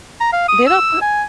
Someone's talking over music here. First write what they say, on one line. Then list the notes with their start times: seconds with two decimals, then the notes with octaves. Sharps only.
They don't put
0.21 A#5
0.32 F5
0.48 D#6
0.67 E6
1.01 G#5